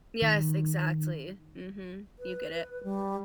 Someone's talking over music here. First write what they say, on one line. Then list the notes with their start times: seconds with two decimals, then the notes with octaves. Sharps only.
Yes, exactly, mhm, you get it.
0.22 D#3
2.19 B4
2.84 G3